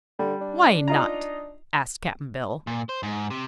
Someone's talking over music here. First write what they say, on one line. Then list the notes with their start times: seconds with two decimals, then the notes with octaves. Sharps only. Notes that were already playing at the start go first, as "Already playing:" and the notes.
"Why not?" asked Cap'n Bill.
0.19 D3 G3
0.41 D4
0.88 D#4 F4 A#5
2.67 A#2
2.89 C5
3.03 G#2
3.30 C3